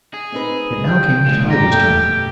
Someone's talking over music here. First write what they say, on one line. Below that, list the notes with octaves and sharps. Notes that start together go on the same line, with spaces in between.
It now came to Spivey's turn.
G#4
C4 D#4 B4
G3 G5
A#2 C#3 G#3
G4 A#5
B2 A3 A4 G5